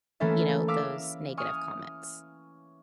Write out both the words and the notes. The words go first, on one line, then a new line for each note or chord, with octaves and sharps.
you know, those negative comments.
E3 A3 A#3 C#4 A4 E5
F5 D6 E6 A#6 B6
G#5 C#6 D#6 F6